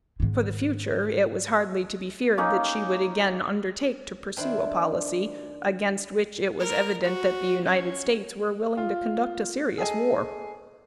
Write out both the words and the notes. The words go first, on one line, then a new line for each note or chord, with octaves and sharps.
For the future it was hardly to be feared that she would again undertake to pursue a policy against which it was evident that the United States were willing to conduct a serious war.
G#2 D#3
A#3 C#4 D#4
D#3 C4 D4 E4 C5
A#4
F#4
C#4
F4
G#4 A4 D#5 G#5